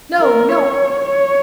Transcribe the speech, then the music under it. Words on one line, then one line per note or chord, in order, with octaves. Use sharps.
No! no!
A#4
C#5
C#5